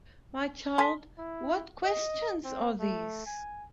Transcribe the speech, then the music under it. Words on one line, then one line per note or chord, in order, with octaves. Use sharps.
My child, what questions are these!
A4 G#5 C6 B6
E4
D#5
C4
A3
G#5